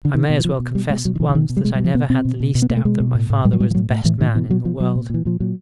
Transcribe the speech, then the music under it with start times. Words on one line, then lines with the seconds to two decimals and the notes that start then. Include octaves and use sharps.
I may as well confess at once that I never had the least doubt that my father was the best man in the world.
0.05 D3
0.14 B2 D#3
0.30 B2
0.39 E3
0.44 B2 F3
0.60 B2
0.75 B2 G3
0.90 B2 G#3
1.05 B2 F#3
1.15 D#3
1.20 B2 E3
1.29 D3
1.35 B2 D#3
1.49 B2
1.57 G3
1.65 B2 G#3
1.75 G3
1.80 B2 F3
1.94 B2 B3
2.10 B2 C4
2.25 B2
2.40 B2
2.55 B2
2.62 B3
2.70 B2 A#3
2.77 A3
2.85 B2 G#3
3.00 B2
3.15 A2
3.30 A2
3.45 A2 G3
3.53 F#3
3.60 A2 G3
3.71 F3
3.75 A2 F#3
3.90 A2
4.04 A2 E3
4.20 A2 D#3
4.35 B2 E3
4.50 B2 F#3
4.65 B2 F3
4.80 B2 F#3
4.95 A#2
5.10 A#2 E3
5.25 A#2 F3
5.40 A#2 F#3